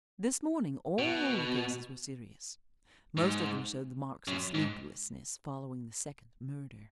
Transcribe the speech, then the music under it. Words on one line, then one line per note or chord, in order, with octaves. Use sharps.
This morning all the faces were serious; most of them showed the marks of sleeplessness following the second murder.
B2
G#2
F#2
G#2